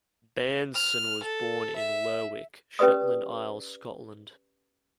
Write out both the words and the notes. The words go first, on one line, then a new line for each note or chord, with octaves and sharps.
Bairnson was born in Lerwick, Shetland Isles, Scotland.
F6
A4
E5
C#4 G4 B4 D5 D#6